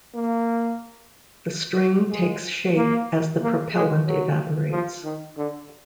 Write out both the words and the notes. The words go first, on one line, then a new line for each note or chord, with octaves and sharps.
The string takes shape as the propellant evaporates.
A#3
G#3
A#3
A#3
G#3
F#3
F3
D#3
D3